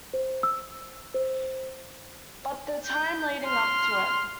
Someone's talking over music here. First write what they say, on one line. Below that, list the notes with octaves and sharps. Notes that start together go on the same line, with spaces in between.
But the time leading up to it.
C5
E6
C5
G6
C6 F6